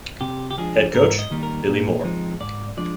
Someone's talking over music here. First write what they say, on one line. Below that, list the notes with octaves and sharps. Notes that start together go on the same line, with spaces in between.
Head Coach: Billie Moore.
C3 G4
G4
F3 G#3 D4 G#4
G#2 A#4
D#5
D#3 G3 A#3 D#4
A#4
A#2
F3 G#3 C4 D#4
G#2 D5
F3 G#3 D4 D5